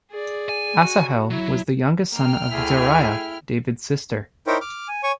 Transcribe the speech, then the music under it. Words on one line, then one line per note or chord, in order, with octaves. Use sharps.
Asahel was the youngest son of Zeruiah, David's sister.
G#4 D5
G#5
F#4
F#3 E4
A#3 G5 F6
D2 A3 E4 G#4 E5
D#4 E4 A#4 C5 C#5 G5
D6 F6
G#5
C#5 G#5 C#6